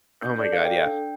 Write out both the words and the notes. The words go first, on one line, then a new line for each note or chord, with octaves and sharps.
Oh my god, yeah.
D4 G6
A4 D5
F5
A4 G5
D4